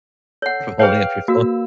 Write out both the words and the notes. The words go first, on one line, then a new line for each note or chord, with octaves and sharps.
For holding up your phone.
A4 C#5 F#5
G#4 B4 C#5 F5 G5 F6
A#3 F#4 E6